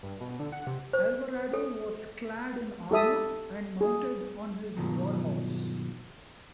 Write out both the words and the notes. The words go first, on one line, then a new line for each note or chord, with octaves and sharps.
Alvarado was clad in armor and mounted on his warhorse.
G2
B2
D3
F#5
C3
C5
A4
G4 A4 E5 D#6
G#4
G2 B2 D#3 F3 F#3